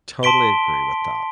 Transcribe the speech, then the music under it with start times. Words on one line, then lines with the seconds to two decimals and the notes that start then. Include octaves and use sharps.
Totally agree with that.
0.23 A5 C6 B6 D7 G7